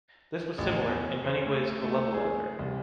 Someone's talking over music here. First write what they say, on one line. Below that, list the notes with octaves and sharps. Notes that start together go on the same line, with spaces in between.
This was similar, in many ways to a level editor.
A1
E2
C5
A3
A3
G#4
C2